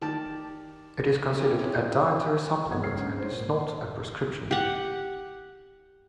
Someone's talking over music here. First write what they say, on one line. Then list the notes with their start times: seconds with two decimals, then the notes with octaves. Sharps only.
It is considered a dietary supplement and is not a prescription.
0.02 D#3 G4 D5 A5
1.39 C#4 E4 G4
1.59 C4 G#4 C#5
2.69 G#2 B3 F#5 G#6
2.81 F#1 G#3 A4 C#5 F6 C7
2.97 C#4 D4
3.18 C5 C#5
3.31 A#2
4.51 G4 F#5